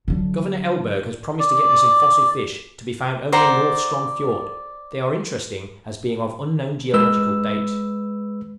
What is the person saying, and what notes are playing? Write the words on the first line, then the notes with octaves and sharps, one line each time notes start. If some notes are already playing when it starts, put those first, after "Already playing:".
Governor Elberg has promised to get me some fossil fish, to be found only in North Strom Fiord: they are interesting, as being of unknown geological date.
D3 F#3
D5
C5 D5 F#5 A#5
G#3 B4 E6